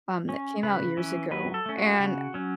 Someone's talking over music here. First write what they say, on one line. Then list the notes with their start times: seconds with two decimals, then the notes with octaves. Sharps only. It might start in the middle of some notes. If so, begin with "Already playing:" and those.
um, that came out years ago, and,
0.29 C#4
0.63 C#3 B4
0.97 E3 C#4
1.31 F#3 B4
1.54 A4
1.66 A3 C#4
1.77 F#4
1.99 C#3
2.34 F#3 C#4